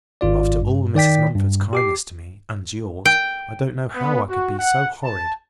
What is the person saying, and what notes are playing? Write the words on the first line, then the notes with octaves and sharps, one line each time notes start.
After all Mrs. Mumford's kindness to me, and yours, I don't know how I could be so horrid.
G#1 F4 D5
G2
D#3 D5 G5 B6
G2
G4 D6 C7
G5
B3
F#4
F#5
A5